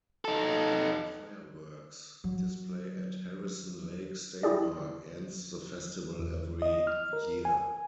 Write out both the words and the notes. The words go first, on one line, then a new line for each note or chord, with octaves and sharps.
An evening fireworks display at Harrison Lake State Park ends the festival every year.
D#4 A4
F#3
E4 G4 G#4 D5
E2
D#5
F6
A#4
G#5